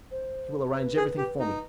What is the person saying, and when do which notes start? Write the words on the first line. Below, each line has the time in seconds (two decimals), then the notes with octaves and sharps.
He will arrange everything for me.
0.11 C5
0.74 C5
0.78 B4
0.97 G#4
1.17 G4
1.40 D#4